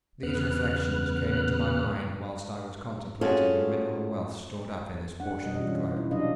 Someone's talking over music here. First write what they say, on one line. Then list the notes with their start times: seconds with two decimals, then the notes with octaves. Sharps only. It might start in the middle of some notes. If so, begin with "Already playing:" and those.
These reflections came into my mind whilst I was contemplating the mineral wealth stored up in this portion of the globe.
0.23 E2 C#3 B3 B4 F6 F#6
3.21 C#4 F4 F#4 G#4 A4
5.20 D4 F#5
5.46 B2 G3 D#5
5.59 E3 C#4 F4
5.97 E4
6.11 C3 F3 F#3 D4 D#5 F5